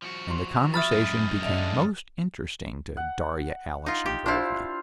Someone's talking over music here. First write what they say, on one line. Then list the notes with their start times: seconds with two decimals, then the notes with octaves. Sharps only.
And the conversation became most interesting to Darya Alexandrovna.
0.02 F3 F#4
0.30 C6
0.74 E5 B5 D#6 F6 A6
0.92 F#2 G#3
1.42 D3 D#5 E5
2.97 F#5
3.86 D#4 F4
4.06 G4
4.26 D4 E4 F4 C5 F5